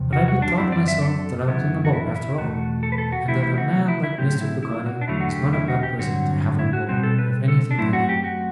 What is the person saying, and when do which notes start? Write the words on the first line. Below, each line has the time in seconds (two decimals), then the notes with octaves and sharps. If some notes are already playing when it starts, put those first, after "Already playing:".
But I bethought myself that I was in a boat, after all; and that a man like Mr. Peggotty was not a bad person to have on board if anything did happen.
Already playing: E2 C3
0.13 F#4
0.28 F#4
0.42 D4
0.58 F#2 F#3 C4 E4
0.72 D5
0.88 E5
1.02 A4
1.47 F#2 E3 B3 E4
1.85 F#4
1.93 E4
2.15 E4
2.38 E2 B2 A3 F#4
2.83 A4
2.92 B4
2.98 A4
3.12 F#4
3.28 C3 E3 A3 C4 E4
3.43 E4
3.54 E4
3.58 F#4
3.73 F#4
3.88 E4
4.03 E4
4.18 A2 F#3 C4 G4
4.41 E4
4.63 E4
4.86 F#4
5.01 D4
5.08 E2 D3 F#3 A3 E4
5.21 F#4
5.31 G4
5.53 E4
5.68 F#4
5.83 G4
5.98 G2 D3 F#3 C4 F#4
6.59 E4
6.73 F#4
6.89 B2 G3 C4 F#4
7.03 A4
7.18 B4
7.48 A4
7.71 D4
7.78 F#2 D3 A3 C4 E4
7.93 F#4
8.09 G4
8.24 F#4